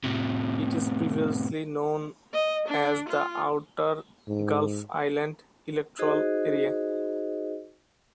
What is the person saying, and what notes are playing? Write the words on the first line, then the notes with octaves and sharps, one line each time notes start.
It is previously known as the Outer Gulf Islands Electoral Area.
A2 C3
D#5
D4
F4
G#2
D#4 F#4 G#4 C5 D#5